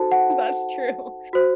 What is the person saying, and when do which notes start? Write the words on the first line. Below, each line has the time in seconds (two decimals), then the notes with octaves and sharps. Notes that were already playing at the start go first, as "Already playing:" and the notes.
That's true.
Already playing: D#4 F#4 A4 C5 A5
0.12 F#5
1.33 F#4 C5